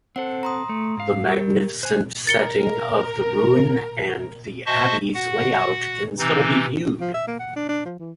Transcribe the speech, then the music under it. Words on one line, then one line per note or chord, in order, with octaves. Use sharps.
The magnificent setting of the ruin and the Abbey's layout can still be viewed.
C4 A4 C5 F#5
A#5 C6 D#6
A3
G#2 F5
G3 G4 A#4
C5 G#5 F#6
A#4 A6 C#7 G7
F#4 C5 D#5 E5 A5 C#6
F#4 F#5
C3 E3 C4 D#4
F3
E5
A#3
F#5
D4
D4
F3
E3